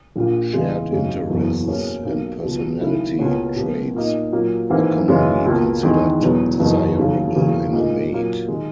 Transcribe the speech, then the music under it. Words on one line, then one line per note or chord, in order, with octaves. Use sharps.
Shared interests and personality traits are commonly considered desirable in a mate.
A#1 A#2 A#3
E2 C#3 E3 G#3
G#1 F#2 C#3 G#3
F#1 E2 B2 A#3
B2 F#3 A#3 C#4 G#4
B1 B2 A#3
C#2 B2 F#3
D#2 C#3 F#3 A#3 E4
C#2 B2 A#3 C#4 F#4
B2 F#3 A#3
A#2 A#3 D#4
A#2 F#3 A#3
G#1 G#2 E3 A#3
F#2 C#3 E3 G#3 C#4
C#2 B2 A#3
E2 D#3 G#3
E1 E2 B2 F#3 B3
F#1 E2 B2 A#3 D#4
D#2 C#3 F#3
E1 E2 C#3 F#3 A#3
A#2 A#3 D#4 G#4
A#2 F#3 A#3
D#3 G#3